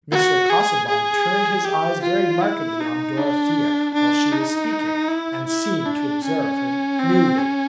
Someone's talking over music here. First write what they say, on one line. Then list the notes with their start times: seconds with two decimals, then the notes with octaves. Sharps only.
Mr. Casaubon turned his eyes very markedly on Dorothea while she was speaking, and seemed to observe her newly.
0.11 F#4
0.49 G#4
0.88 G#4
1.65 G4
2.02 F4
2.41 E4
2.80 D#4
3.18 D4
3.94 D4
4.32 D#4
5.08 E4
5.47 E4
5.85 D4
6.24 C#4
7.00 C4
7.38 C#4